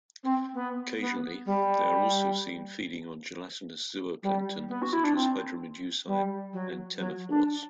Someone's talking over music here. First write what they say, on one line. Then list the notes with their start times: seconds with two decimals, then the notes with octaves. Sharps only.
Occasionally, they are also seen feeding on gelatinous zooplankton such as hydromedusae and ctenophores.
0.23 C4
0.54 B3
1.00 B3
1.46 G3
4.23 G3
4.68 B3
4.82 F#4
4.93 E4
5.04 D4
5.15 C4
6.07 G3
6.53 F#3
6.99 F#3
7.30 D4